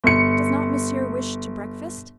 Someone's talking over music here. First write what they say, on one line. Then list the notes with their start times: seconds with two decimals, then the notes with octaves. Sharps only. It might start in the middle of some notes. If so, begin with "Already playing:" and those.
"Does not Monsieur wish to breakfast?"
0.04 G1 C#7